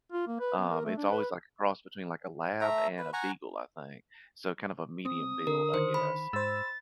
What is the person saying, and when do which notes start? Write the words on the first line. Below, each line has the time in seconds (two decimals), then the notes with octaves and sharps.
Um, it's always like a cross between, like, a lab and a beagle, I think. So kind of a medium build, I guess.
0.12 F4
0.27 A#3
0.40 B4
0.58 B3
0.71 A#4
0.85 A3
0.97 D4
1.11 B4
2.61 A3 E5 A#5
2.98 B4
3.13 F#5 G#5 A#5 C#6
5.05 C4 D#6
5.47 D3 A#4
5.74 D#3 C5
5.94 B5
6.33 G#2 C5 E6 A6